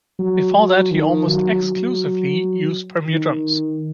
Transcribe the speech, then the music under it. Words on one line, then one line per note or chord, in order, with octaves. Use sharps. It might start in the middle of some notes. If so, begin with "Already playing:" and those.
Before that he almost exclusively used Premier drums.
F#3
F#3
D#3
F#3
F#3
D#3